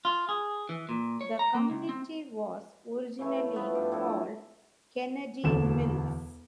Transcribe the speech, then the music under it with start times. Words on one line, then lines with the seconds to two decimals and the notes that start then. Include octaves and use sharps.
The community was originally called Kennedy Mills.
0.05 F4
0.29 G#4
0.69 E3
0.89 A#2
1.21 C#5
1.39 A#5
1.55 A#3
1.70 C#2
1.89 C4
3.19 C#3 E3 A3 G#5
3.53 F3 B3 C#5 E5
3.75 G2 D4 G4
3.92 A2 F3 A4
5.44 E1 D2 A4 E7